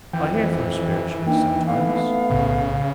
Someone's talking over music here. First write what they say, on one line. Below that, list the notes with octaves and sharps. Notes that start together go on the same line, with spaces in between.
I hear from spiritualists sometimes.
F2 E3 G5
A#3 D4 D#4 G5
A3 B3 F5
B1 A2 C#3